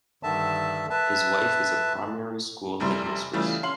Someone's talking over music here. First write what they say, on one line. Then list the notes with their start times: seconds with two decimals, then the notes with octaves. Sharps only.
His wife is a primary school headmistress.
0.23 G2 D3 D#3 E5 A5
0.90 B4 E5 A5
2.80 F1 C3 G3 E4 C6
3.33 C#3 E3 G3 A3 E4 F4
3.63 C#4 F5 C6 F#7